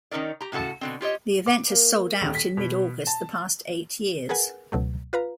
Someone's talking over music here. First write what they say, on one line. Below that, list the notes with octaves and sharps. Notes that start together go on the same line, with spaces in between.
The event has sold-out in mid-August the past eight years.
D#3 C#4 D#4 A#4 D5
G4 A#5
A2 C#3 F#4 A4 A5
B2 D3 C4
F4 G4 C#5 D#5
D6
A#3
D#1
B6
B2
A5
G#4 A#4 B4 F#5 G#5
C#2 B2 F#3 A3
F4 B4 F5 A#5